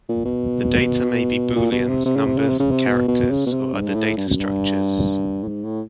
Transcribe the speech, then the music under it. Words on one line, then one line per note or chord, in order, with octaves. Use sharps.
The data may be booleans, numbers, characters, or other data structures.
A#2
B2
A#2
B2
C3
C3
C#3
C3
C#3
C3
C#3
C3
B2
B2
C#3
B2
C3
G2
G#2
G2
A2
G2
F#2
G2
A2
G#2
A2